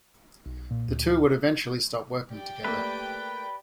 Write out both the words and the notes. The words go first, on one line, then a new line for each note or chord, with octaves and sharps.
The two would eventually stop working together.
B1
A#2
D2
G4 D5 G5
A3 A#3 B4